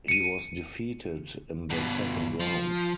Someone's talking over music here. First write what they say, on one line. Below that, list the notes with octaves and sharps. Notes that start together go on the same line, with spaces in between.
He was defeated in the second round.
C#7 D#7
G2 B2
F3